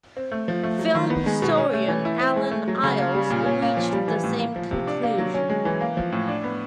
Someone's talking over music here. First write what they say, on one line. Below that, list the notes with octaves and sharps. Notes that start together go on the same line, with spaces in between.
Film historian Allen Eyles reached the same conclusion.
C4
A3
F3
A3
F#3
D#3
B3
G#3
B2
C#4
A3
E3
E4
C4
G#3
A3
F#3
C#3
A#3
G3
A#2
C#4
A#3
F3
G3
E3
A2
A#3
F3
C3
D4
A#3
F#3
C#4
G#3
E3
A#3
F3
A2
D4
B3